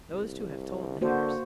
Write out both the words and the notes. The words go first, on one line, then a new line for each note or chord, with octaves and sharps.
"Those two have told theirs."
C2
D3 A#3 F#4 C5